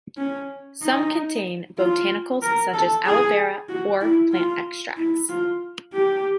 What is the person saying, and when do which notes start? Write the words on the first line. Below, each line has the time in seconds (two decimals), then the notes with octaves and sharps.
Some contain botanicals such as aloe vera or plant extracts.
0.17 C#4
0.82 D#4
1.78 F4
2.42 A#4
2.74 A4
3.06 G#4
3.69 F#4
4.01 E4
4.33 F4
4.97 E4
5.29 F4
5.93 G4